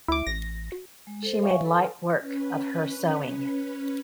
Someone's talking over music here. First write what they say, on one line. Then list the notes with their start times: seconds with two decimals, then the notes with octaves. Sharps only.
She made light work of her sewing.
0.08 D2 E4 D6
0.27 A1 A#6
0.72 F#4
1.07 G#3
1.23 A4 C5
1.42 C#5 E5 F5 G#5 C#6
1.64 A4 B4 G#5
2.19 C#4 B4